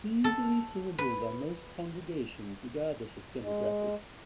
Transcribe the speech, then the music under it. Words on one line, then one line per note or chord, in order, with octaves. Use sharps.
Easily singable by most congregations regardless of demographic.
A4
B4
G#3